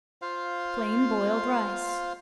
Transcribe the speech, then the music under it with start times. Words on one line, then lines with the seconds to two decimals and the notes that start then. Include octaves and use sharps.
Plain Boiled Rice.
0.22 F4 C5 F5